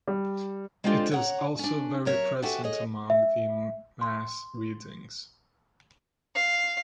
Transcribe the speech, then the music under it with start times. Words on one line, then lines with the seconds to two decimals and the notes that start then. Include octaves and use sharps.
It is also very present among the Mass readings.
0.08 G3
0.84 G#3 C4 D4 F4 G4 A4
1.11 C#5 F#5 A#5
1.59 C#4 D4
2.05 F#3 A#4 C#5 D#5 E5
2.42 C#4 F#4 G4 A4 E5
2.64 G#4 C#5 D#5
3.10 E5
4.01 C6
6.35 F5